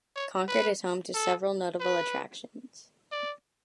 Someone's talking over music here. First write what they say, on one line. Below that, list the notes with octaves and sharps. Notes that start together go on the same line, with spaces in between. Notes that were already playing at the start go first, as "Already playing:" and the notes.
Concord is home to several notable attractions.
C#5
B4
A4
B4
D5